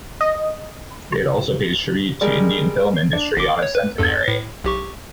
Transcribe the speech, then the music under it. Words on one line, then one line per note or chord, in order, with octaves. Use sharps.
It also pays tribute to Indian film industry on its centenary.
D#5
G3 G#3 A#4 D5
D4
G1 D6
C#5
B4
E2 G2 A4
A2
B1 G4 C#6